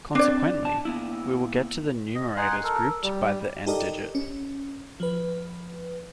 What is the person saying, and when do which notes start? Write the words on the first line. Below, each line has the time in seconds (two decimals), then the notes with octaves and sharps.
Consequently, we will get the numerators grouped by the end digit.
0.15 C4 D4 D5
0.63 B2 A5
0.85 A#3 B3 E4
2.15 D#5
2.37 D#4 F#5 G#5 C6
2.64 A4 A#4
3.03 G3
3.66 D#4 G4 A4 A#4 D5 D#5
4.15 C#4
5.00 F3 B4